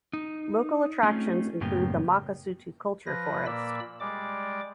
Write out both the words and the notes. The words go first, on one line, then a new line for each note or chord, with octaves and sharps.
Local attractions include the Makasutu Culture Forest.
D#4
A3 C4 C#4 D#4 F4 G#4
F#2 A2 C#3 A#3 B3 G4
F3 B4 A#6
A#2 A#3 D5 B5 E6
G3 G#3 D5 D6